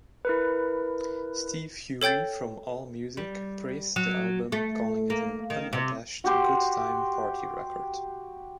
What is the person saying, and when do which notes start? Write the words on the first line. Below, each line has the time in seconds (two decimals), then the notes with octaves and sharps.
Steve Huey from Allmusic praised the album, calling it "an unabashed good-time party record".
0.25 E4 A#4 B4
2.02 A4 C#5 G5 G6 A6
3.17 G3
3.96 F#3
4.52 A3
5.10 A#3
5.50 D#3
5.73 C3
6.24 F#4 G4 C6